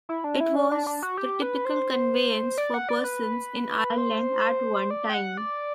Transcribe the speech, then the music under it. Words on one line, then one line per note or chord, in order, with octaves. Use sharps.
It was the typical conveyance for persons in Ireland at one time.
E4
D4
E4
D4
D4
D4
F#4
G4
B4
C5
D5
F#5
D5
B4
C5
D5
G5
F#5
D5